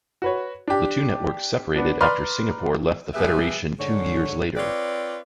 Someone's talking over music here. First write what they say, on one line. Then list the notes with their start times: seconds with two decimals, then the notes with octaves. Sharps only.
The two networks separated after Singapore left the federation two years later.
0.22 F#4 B4 C#5
0.68 D4 G4
1.76 B3 D4
2.01 B4 D5 A#5 C6 F6
3.14 B2 G3 G4 G#4 B4 E5
3.78 G#2 D3 C#5
4.56 C4 F4 B4 C#5 D5